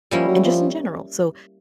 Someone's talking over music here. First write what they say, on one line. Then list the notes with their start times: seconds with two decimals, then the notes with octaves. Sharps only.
and just in general, so
0.11 F3 G3 A#3 C#4 E4
0.28 F#3
0.44 F3